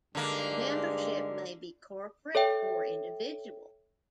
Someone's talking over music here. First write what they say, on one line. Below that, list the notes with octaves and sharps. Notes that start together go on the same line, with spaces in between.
Membership may be corporate or individual.
G2 D3 G#3 A#3 D#4
A4 C#5 E5 G5